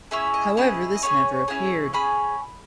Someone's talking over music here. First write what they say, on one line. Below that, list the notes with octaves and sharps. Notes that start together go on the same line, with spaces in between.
However this never appeared.
C#4 E4 G#4 E5
D#5
C#4 E4 G#4 D#5
D#5
C#4 E4 G#4 C#5
C#4 E4 G#4
C#4 G#4 B5